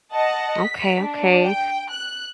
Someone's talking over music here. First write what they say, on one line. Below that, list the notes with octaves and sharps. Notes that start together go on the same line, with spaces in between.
Okay, okay.
D#5 F#5 A5
B6
D4
G5
F#6